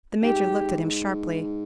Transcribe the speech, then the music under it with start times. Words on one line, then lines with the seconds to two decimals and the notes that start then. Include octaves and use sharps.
The Major looked at him sharply.
0.23 G#2 G4